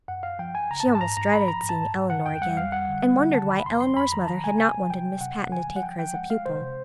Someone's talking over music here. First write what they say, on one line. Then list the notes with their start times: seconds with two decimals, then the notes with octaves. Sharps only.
She almost dreaded seeing Elinor again, and wondered why Elinor's mother had not wanted Miss Patten to take her as a pupil.
0.08 F#2 F#5
0.23 F#2 F5
0.39 F3 G5
0.54 F#2 G#5
0.71 C#3 A#5
0.80 A5
0.85 G#2 A#5
0.95 A5
1.01 G#2 A#5
1.17 G#2 A#5
1.32 G#2 B5
1.48 F3 A#5
1.63 G#2
1.69 A5
1.79 G#2
1.95 G#2
2.10 D3 F#5
2.26 F2 G5
2.41 G3 F#5
2.57 F2 F5
2.72 G3 F#5
2.88 D3
3.03 G3
3.19 D3
3.34 D#3 A5
3.50 C3 B5
3.66 F2 C6
3.81 F#3 C6
3.97 F2 B5
4.12 D#3 A#5
4.24 A5
4.27 D#3 A#5
4.44 C3 G#5
4.58 C3 G#5
4.74 C3
4.90 C3 G5
5.06 F#3
5.21 C3 F#5
5.36 C3
5.52 D#3 G#5
5.68 F#3
5.76 F#5
5.83 F3 G5
5.99 F3 G5
6.14 G#3 F#5
6.30 G#3 F5
6.46 C3 C5
6.60 C3